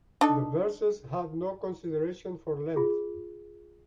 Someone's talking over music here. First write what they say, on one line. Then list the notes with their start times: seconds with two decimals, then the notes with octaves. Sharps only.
The verses had no consideration for length.
0.21 D4 D#4 A4
2.76 F4 G#4